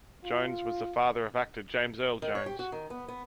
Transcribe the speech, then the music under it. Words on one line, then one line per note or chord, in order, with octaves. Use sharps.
Jones was the father of actor James Earl Jones.
F4
D#3
C#5
G4
F#4
D#3
B3
B3